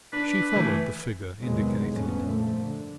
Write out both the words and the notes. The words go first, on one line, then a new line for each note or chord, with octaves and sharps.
She followed the figure indicated.
D4 B4
E3 A3
E2 C3 D#3 F#3 G#3 B3
G1 F2 A2 D3 B3 C#4
A#2 D3 F3 A3
D3